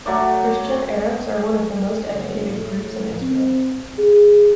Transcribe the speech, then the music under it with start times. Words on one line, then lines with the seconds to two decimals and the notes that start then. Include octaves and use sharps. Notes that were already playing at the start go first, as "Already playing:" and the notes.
Christian Arabs are one of the most educated groups in Israel.
0.06 F#3 A3 D5
2.05 F#1
2.49 A2
3.22 C4
3.98 G#4